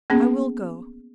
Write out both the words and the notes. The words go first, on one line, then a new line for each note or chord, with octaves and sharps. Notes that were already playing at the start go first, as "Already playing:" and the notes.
'I will go.
A#3 B3 C#4 G#4